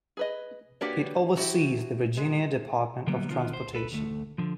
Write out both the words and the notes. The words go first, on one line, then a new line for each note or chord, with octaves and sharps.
It oversees the Virginia Department of Transportation.
G#4 B4 D#5
A#3 D4 F#4 G4 B4 C#5
F3 E4 F#4 G4
G#3
D3 F#3 G3 A#3 B3
D3 D#3 B3 F4
C5
A4 B4
D2 A3
D3 F3